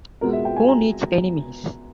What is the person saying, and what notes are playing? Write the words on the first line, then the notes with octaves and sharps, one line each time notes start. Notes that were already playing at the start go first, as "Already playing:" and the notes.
Who Needs Enemies?
B2 G#3 B3 A#4
E5
G5
G#5
A#5